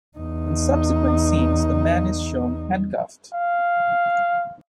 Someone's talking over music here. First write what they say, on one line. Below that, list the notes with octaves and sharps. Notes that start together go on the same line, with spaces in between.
In subsequent scenes, the man is shown handcuffed.
E2 D#4
F5